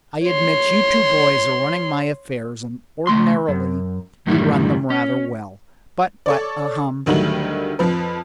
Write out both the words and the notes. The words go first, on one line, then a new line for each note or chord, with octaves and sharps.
I admit you two boys are running my affairs and ordinarily you run them rather well, but--but--ahem!
C#5 C6
C#2 A3 C6
F#2
F#2 A2 D#3 E3 F#3 G3
C#4
A4 C#5 D5
D2 D#3 F#3 G3 A3 F#7
F2 F3 B4